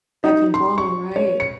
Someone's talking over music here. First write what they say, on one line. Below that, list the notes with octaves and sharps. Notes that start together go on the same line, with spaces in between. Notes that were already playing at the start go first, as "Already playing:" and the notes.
Beck and call, right.
D#4
C6
C#6
C#5
C#7